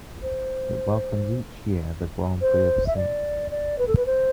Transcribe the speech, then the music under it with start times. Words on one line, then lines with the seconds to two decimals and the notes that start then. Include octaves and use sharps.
It welcomes each year the Grand Prix of St.
0.22 C5
2.41 C5
2.87 E5
2.96 D5
3.51 D5
3.78 B4
3.87 A4
3.96 B4
4.06 C5